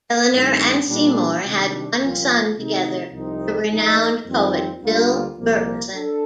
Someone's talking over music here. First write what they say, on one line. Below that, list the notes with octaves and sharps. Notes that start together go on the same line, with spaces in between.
Eleanor and Seymour had one son together, the renowned poet Bill Berkson.
G2 D#3 A3 C4
A#2 G3 D4
C3 D#3 G3 D4
C2 A#2 F3 C4 F4
C3 D#3 A3 D#4
C2 C3 F3 C4 D#4
A#1 A#2 A3 D#4
F2 D#3 G3 C4 F4
D2 D3 G3 A#3 F4
C2 A#2 F3 A#3
D4 A4